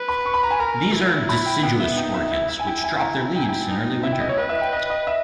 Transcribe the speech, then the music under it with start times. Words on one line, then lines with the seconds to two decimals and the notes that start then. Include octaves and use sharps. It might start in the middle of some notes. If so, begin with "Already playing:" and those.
These are deciduous orchids, which drop their leaves in early winter.
Already playing: B4
0.09 B5
0.25 C#6
0.34 B5
0.43 A#5
0.51 G#5
0.60 A#4 A#5
0.94 E4
1.29 B5
1.46 G5
1.62 B3 G5
1.80 E5
1.97 D#4 G5
2.14 E5
2.32 E4 E5
2.49 E5
2.59 G#5
2.66 E4 G5
2.84 G#5
3.00 A#5
3.35 E4 G5
3.42 G#5
3.49 G5
3.69 D#4
4.03 E4 E5
4.12 G5
4.20 D#5
4.29 C#5
4.38 B4 D#5
4.49 E5
4.61 G5
4.72 D#5
4.90 D#5
5.07 E5